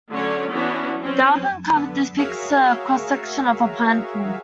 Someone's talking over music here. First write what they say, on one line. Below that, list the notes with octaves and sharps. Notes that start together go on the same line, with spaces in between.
The album cover depicts a cross section of a pineapple.
D3 F#3 A3 C#4 C#5 D5
E3 B3 C#4 D4 F#4
C4 C#4
D3 B3
F#4 G#4 A#4 C#5 E5 F5